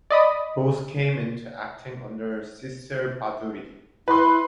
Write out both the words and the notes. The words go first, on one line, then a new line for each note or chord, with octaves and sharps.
Bose came into acting under Sisir Bhaduri.
D5 D#5 B5 D#6
E4 B4 B5 C6